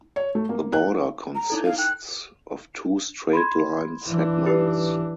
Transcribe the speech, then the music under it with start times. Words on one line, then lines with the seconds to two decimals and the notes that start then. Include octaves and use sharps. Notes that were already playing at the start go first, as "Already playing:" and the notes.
The border consists of two straight line segments.
0.16 C#5
0.35 A3
0.49 A#3
0.73 F#6
1.35 A#5
1.50 D#4 E4 A4
1.64 F5
1.78 G5 F#6
3.33 B5 C6 G#6
4.08 E3 D4
4.45 D#4 G4 B4